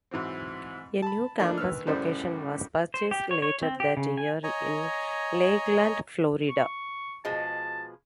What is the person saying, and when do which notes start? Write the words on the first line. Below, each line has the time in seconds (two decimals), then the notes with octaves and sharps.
A new campus location was purchased later that year in Lakeland, Florida.
0.11 G#2 E3 F#3 C4
1.02 A5 B5
1.39 E3 A3 A#3 D4 D#4
1.58 D#2 B4 E6 F6
1.87 F#2 A2 C#3 G3 C5 D5
2.94 C5
3.11 G4
3.31 C#5
3.42 C#5
3.63 C4
3.80 G4
3.97 C#3
4.17 G#5
4.44 C#5 D#5 G#5 A#5
6.50 C#6
7.25 B2 F3 G#3 A5